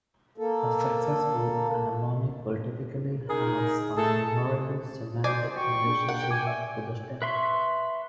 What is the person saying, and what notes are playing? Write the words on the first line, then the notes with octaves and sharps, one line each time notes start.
A successful anamonic will typically have some memorable semantic relationship to the stem.
A#3 A4
D#4 G#4 A#4
A3 G#4 A4
F#4 C5 D5 D#5 G#5
F#4 G5 C#6
A#3 D4 G#4
A#4 F#5
A#2 G#5 D6
D5 E5
B4 E5 C6 C#6